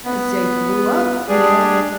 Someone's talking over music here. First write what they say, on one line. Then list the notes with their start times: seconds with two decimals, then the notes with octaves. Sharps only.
as I grew up, you know,
0.05 B3
1.28 G3 D4 G#4